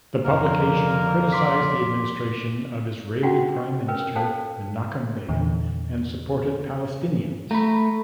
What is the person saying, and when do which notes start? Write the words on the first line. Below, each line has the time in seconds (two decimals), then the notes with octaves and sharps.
The publication criticized the administration of Israeli Prime Minister Menachem Begin and supported Palestinians.
0.24 F2 D3 A#3 A#4
1.32 C6 D6 B6
3.23 D#4 F4 F#4 F#5 G5
3.88 C#4 A#4 B4 G5
4.16 A4 C5 F5 G5 A5
5.28 E2 A#2 D3
7.51 A3 A#5 B5